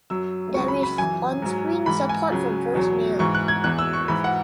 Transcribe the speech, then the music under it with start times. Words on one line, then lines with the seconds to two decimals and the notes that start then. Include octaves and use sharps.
There is on-screen support for voice mail.
0.10 F#2 F#3 E6
0.54 C#2 C#3 F#3 C#6
0.68 B5
0.83 B5
0.98 F#2 E3 G#5
1.42 G#2 F#3
1.86 G#2 E3 B5
2.09 G#5
2.31 C#2 C#3 F#3
2.75 E2 B2 F#3
3.19 G#2 E3 C#6
3.35 F#6
3.48 G#6
3.64 E2 E3 F#6
3.79 E6
3.93 C#6
4.08 G#2 E3 B5
4.24 F#5